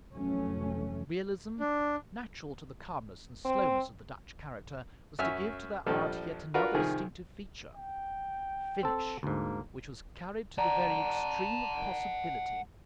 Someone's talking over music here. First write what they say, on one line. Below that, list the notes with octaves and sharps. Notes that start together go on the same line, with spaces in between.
Realism, natural to the calmness and slowness of the Dutch character, was to give to their art yet another distinctive feature,--finish, which was carried to the very extreme of possibility.
F1 E3 F#3 A3 C#4
D4
C4
F#2 C#4 E5 F6
A#1 F3 G3 A4
D4 F4 F#4 A#4 B4
C2 D#3 F3 G#4
G5
C4 A4
D2 G#2 A#3
D5 F#5 A5 A#5